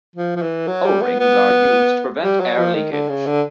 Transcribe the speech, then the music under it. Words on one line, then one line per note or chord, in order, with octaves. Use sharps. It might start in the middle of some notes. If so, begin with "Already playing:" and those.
O-rings are used to prevent air leakage.
F3
F3
E3
F#3
G3
B3
B3
G3
F#3
F3
D#3
D3
C#3
D3